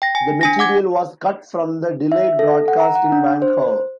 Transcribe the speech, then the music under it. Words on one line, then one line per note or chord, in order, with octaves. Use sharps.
The material was cut from the delayed broadcast in Vancouver.
G5 A#6
G#5
D4 G#5 A#6
F#5 D6 G#6
E5
A4
F#5
A#5
F#5
D4
C5